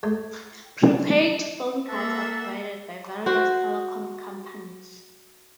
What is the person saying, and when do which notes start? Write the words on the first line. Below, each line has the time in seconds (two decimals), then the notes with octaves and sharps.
Prepaid phone cards are provided by various telecom companies.
0.03 G#3 A3
1.88 A#3 A4 E5 F#5 A5
3.26 F#4 C5